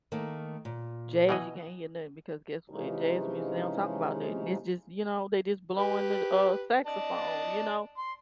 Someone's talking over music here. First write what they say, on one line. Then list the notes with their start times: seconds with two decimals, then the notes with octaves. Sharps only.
Jazz, you can't hear nothing because guess what? In jazz music, they don't talk about nothing. It's just, you know, they just blowing the, uh, saxophone, you know,
0.12 D#3 A3 A#3
0.65 A#2
1.29 B2 E3 D#5
2.70 C3 E3 F3 G#3 C#4 D#4
5.77 G4 B4
6.86 D5 D#5 A5
7.98 C6